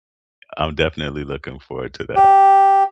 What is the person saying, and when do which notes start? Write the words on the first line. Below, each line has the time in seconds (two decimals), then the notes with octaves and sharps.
I'm definitely looking forward to that.
2.16 G4